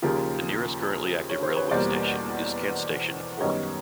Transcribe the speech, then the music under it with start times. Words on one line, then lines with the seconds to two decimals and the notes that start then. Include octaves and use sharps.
The nearest currently active railway station is Kent Station Cork.
0.02 D#2 C#3 F3 A#3 F4 G4
1.29 C#5
1.43 C5
1.57 B4 C#5
1.71 E2 B2 G3 A#3 C5 D5
3.41 F#2 D#3 G3 B3 C#5 D#5